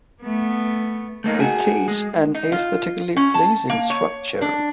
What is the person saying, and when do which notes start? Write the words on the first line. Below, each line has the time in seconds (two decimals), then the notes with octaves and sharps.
It is an aesthetically pleasing structure.
0.23 A3 B3
1.24 A3 A#3 D#4
1.40 F#4 G#4
1.88 G#3
2.34 D#4
2.52 F4
3.17 C#4
3.34 A5
3.70 A#3
3.90 C#5
4.42 D4